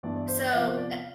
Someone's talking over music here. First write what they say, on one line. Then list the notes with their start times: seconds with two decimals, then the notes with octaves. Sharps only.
So, eh
0.03 G2 E3 B3 D4 D5
0.16 D5
0.28 C5
0.41 D5
0.52 C3 F3 B3 E5
0.66 C5
0.77 D5
0.91 F5